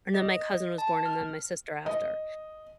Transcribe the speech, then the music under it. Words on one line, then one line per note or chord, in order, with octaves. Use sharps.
and then my cousin was born and then my sister after.
D#5
A5
F6
D#5